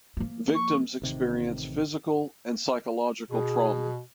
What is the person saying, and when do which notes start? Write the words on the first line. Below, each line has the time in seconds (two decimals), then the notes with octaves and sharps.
Victims experience physical and psychological trauma.
0.17 F3 A#3
0.54 C#6
1.02 A1 C3 D#3
3.31 B2 G#4